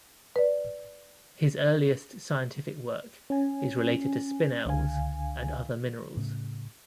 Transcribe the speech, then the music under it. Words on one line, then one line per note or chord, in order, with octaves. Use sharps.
His earliest scientific work is related to spinels and other minerals.
B4 D5
C#4 G#5
C#2 D3 F5 G#5
A2 C#3